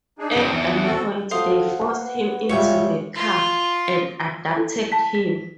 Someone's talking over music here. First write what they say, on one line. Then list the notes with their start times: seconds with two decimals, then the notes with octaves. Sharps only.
At gunpoint, they forced him into the car and abducted him.
0.19 D4 D#4 G#4
0.36 F#2 C4
0.51 E2
0.71 D4 F#5
0.83 C4 F#4 A4
1.31 A4 C5 F5 F#5 D#6
1.88 B4
2.49 G3 G#3 F4 C#5 E5 G5
3.15 F4
4.56 E4 A4
4.92 A5 B6
5.15 B6